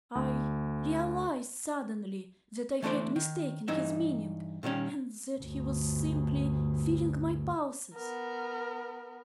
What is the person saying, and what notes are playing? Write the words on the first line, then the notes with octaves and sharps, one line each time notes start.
I realised suddenly that I had mistaken his meaning, and that he was simply feeling my pulses.
D2
E3 A3 D4 C5 D5
D#3
G2 E3 D#4 E5
A#2 D#3 G3 C#4
G1 D2
B3 A#4